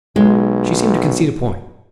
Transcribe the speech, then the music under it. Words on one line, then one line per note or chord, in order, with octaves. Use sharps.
She seemed to concede a point.
B1 G#3